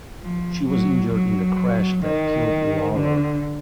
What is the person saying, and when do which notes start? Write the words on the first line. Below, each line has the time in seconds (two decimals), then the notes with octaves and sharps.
She was injured in the crash that killed Lawlor.
0.22 F3
0.67 F#3
1.12 F#3
2.03 D#3
2.95 D3